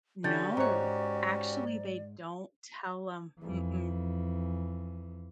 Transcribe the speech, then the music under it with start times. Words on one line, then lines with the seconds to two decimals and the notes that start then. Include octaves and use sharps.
No, actually, they don't tell 'em, mm-mm.
0.24 D3 C#4 F#4 G4 D5 G6 A6
0.57 G#2 C5 C#5 A#5
3.40 F2 E3